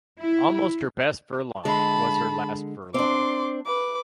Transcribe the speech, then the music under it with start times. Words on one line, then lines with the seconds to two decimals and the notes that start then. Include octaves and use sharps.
Almost her best furlong was her last furlong.
0.20 E4
1.65 D3 G#3 A5 B5
2.94 C4 D4 C6 D6
3.66 B4 D6